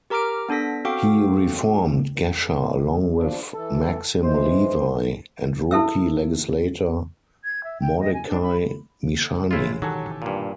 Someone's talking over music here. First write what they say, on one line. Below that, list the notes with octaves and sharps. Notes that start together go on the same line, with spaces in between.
He reformed Gesher along with Maxim Levy and rookie legislator Mordechai Mishani.
G4 A#4 A#5 D6 F6 D7
B3 D4 A4 A#6 B6
C4 F#4 A4 F5 G5 D6
F3 D4
E3 A4
E3 G#3 C5
E4 A4 E5 E6
G#6
E5
G5
D#5
G#5
D4
B5
A1 G#2 B2 G#3 E4 F4
D#3 F#3 G4 A4 G#5 A5 C#6 F#6
G2 A#2 B3 G#6